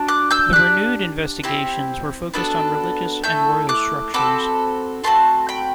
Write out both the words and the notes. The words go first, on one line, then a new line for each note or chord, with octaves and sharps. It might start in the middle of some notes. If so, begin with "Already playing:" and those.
The renewed investigations were focused on religious and royal structures.
Already playing: D4 F#4
D6 F#6
E6 G6
D4 G4 D6 F#6
C4 E4 G4
B3 D4 F#4 A4
A3 E4 A4 E6 G6
D6 F#6
C4 F#4 A4 B5 D6
A3 C4 F#4 A5 C6
G5 B5